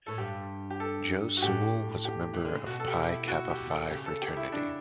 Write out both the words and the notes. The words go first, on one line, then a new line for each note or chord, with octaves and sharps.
Joe Sewell was a member of Pi Kappa Phi fraternity.
A2 A4
G2 G4
G4
A4
F#4
A2 G4
G4
E3
D3
C#3
B2 F#4
A4
G4
E4
F#4
G4
A4
C#3 G4
A4
G4
E4
D4